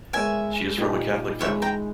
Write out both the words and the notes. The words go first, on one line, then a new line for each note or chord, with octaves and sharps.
She is from a Catholic family.
G#3 B3 E4 A#4 C#5 E5 G#5
A#2 G3 B3 D#4 G4
E3 G#3 D#4 C#5 E5
G5 A#5